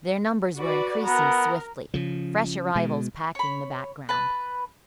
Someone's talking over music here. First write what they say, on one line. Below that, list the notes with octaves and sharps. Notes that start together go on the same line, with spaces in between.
Their numbers were increasing swiftly, fresh arrivals packing the background.
F#4 B4 D5
B3 A#4 A#5
C#3 F3
B2 G#3
C#5 B5
B4 A5